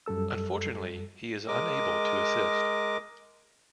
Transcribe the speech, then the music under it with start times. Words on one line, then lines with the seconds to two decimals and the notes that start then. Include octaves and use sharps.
Unfortunately, he is unable to assist.
0.06 F#2 G3 A4 E6
1.48 G#3 A#4 D#5 D6